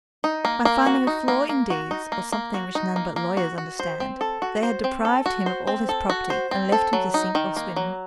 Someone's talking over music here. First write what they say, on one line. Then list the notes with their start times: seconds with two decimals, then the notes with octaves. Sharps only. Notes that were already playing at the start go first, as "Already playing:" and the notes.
By finding a flaw in deeds, or something which none but lawyers understand, they had deprived him of all his property and left him to sink or swim.
0.24 D#4
0.45 A#3
0.65 A#3
0.86 F#4
1.07 D#4
1.28 A#3
1.49 A#3
1.70 F#4
1.91 D#4
2.12 A#3
2.32 A#3
2.54 F#4
2.75 D#4
2.96 A#3
3.16 A#3
3.37 F#4
3.58 F#4
3.79 C5
4.00 C4
4.21 A4
4.42 F#4
4.63 C5
4.84 C4
5.05 A4
5.26 F#4
5.46 C5
5.67 C4
5.89 A4
6.10 F#4
6.30 C5
6.51 C4
6.72 A4
6.93 F#3
7.14 D#4
7.35 D#3
7.56 A#3
7.76 F#3